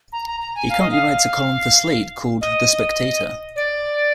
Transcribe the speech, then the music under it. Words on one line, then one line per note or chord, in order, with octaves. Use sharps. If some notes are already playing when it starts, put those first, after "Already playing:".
He currently writes a column for "Slate" called "The Spectator".
A#5
A#5
A#5
G#5
F5
D#5
F5
D#5
D5